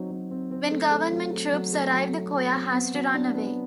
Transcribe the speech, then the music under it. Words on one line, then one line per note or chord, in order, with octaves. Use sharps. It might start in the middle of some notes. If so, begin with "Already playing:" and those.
When government troops arrive the choir has to run away.
Already playing: F#3 C4 D#4
F#3
C4
C4
A3
A3
F#3
A3
F#3
A3
F#3
A3
F#3
C4
B3
F#3
D4
B3